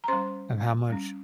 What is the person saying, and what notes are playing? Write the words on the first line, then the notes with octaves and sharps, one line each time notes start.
of how much
A#5
G3 C#4 C5 C6
G3 C#4